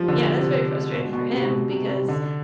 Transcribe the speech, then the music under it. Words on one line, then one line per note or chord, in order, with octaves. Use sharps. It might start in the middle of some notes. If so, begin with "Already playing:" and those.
yeah, that's very frustrating for him because
Already playing: F3 G3
D3
B2
C3
B2
B2
C3
B2
C3
C3
D3